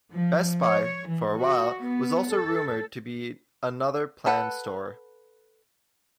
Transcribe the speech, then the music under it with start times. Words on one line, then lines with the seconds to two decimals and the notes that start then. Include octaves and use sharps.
Best Buy, for a while, was also rumored to be another planned store.
0.12 F3
0.63 C#5
1.08 E3
1.38 F#4
1.80 B3
2.32 A4
4.26 A4 B4 F#5